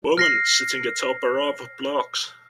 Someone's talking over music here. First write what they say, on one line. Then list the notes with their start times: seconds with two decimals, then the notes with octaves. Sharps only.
Woman sitting atop a row of blocks.
0.18 F6 A#6 C7